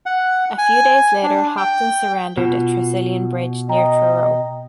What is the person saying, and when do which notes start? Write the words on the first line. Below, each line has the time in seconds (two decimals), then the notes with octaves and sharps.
A few days later Hopton surrendered at Tresillian Bridge near Truro.
0.06 F#5
0.58 G#5
1.23 D4
1.57 G5
2.37 B2 F4
3.69 D#5 G5 A#5